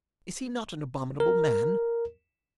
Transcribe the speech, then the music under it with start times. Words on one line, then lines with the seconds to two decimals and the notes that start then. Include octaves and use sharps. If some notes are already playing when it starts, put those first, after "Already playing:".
Is he not an abominable man?
1.20 A#4